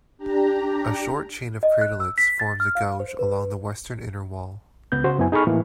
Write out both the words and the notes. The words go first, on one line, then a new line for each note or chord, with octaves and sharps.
A short chain of craterlets forms a gouge along the western inner wall.
D4 G4 A#5
D#5
F#6
E6
B6
A6
F6
F5
C5
B4
C#2 B3 G6
C#3 F#4 C5
F#2 B3 E4 G#5
D#4 G#4 A4 B5 C#6 F6
A2 E3 A#3